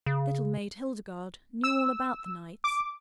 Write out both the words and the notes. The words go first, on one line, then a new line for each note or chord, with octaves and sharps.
Little Maid Hildegarde knew all about the knights.
C#3
E6
D6